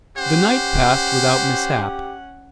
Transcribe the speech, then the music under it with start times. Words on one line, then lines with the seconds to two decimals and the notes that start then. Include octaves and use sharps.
The night passed without mishap.
0.18 C#4 G4 C5 F#5